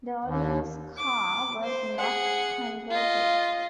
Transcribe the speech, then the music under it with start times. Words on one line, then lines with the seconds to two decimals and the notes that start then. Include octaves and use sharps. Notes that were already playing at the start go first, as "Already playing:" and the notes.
The audience car was not converted.
0.24 D#2
0.97 D6
1.63 C5
1.98 G#4 F#5
2.90 F4 D#5